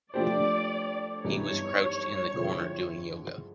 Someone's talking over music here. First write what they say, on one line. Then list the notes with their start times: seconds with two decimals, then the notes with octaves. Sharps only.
He was crouched in a corner doing yoga.
0.14 F3 A3 D4 G4 C5 D5
1.24 G2 E3 G3 B3 D#4 C#5
2.34 D3 F3 G#3 C4 E4